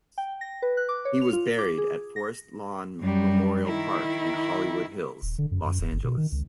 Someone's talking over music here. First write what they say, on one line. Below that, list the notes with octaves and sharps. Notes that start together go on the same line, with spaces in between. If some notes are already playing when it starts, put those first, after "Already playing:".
He was buried at Forest Lawn Memorial Park, in Hollywood Hills, Los Angeles.
G5
A#6
B4
F#6
D6
C#5
F7
F4
D6
G#4
A#6
F#2 G3
D#3 E4
D#1
D3
F#2
F#2
D#1
G1
B2
D#3
C#2